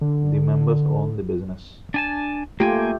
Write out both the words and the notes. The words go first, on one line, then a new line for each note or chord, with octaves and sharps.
The members own the business.
D3
D4 G#5 A5
A3 A#3 F4 G4 G5 G#5